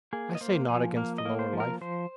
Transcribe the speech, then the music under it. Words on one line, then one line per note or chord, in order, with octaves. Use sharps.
I say naught against the lower life.
A#3 G#4
D#5
A#3 C5
F3 G#5
A#3 F5
D#5
A#3
C5
F3
A#4
F3 C5